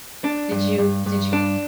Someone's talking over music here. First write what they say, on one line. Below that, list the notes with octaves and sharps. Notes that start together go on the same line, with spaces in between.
did you did you
D4
G2
G2
G2
D4